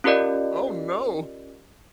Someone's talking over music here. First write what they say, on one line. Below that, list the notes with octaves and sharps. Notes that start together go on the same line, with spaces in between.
Oh, no!
C#4 F4 G4 A#4 D5 D#5